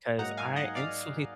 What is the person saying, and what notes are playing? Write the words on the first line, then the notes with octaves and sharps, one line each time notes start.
'cause I instantly
G#2 F#3 A#3 D#4 F#5 A#5
F5 G#5
D#5 F#5
D5 F5